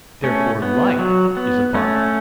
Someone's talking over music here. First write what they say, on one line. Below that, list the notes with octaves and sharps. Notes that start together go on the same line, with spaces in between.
Therefore light is a body.
A3 C#4
B3
F#3
B3
A3 C#4